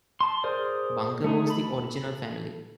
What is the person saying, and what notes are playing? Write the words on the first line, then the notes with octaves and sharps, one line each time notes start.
"Bunker" was the original family.
A5 C6
G#4 A#4 C5 D5
A3 D#4 G#4
A4 B5